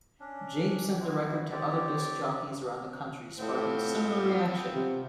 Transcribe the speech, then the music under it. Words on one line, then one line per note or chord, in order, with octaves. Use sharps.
James sent the record to other disc jockeys around the country sparking similar reaction.
C#4 D4
C4 E4 F#4
C4 G4 C#5 D5
A2 B3 C4 F4
C3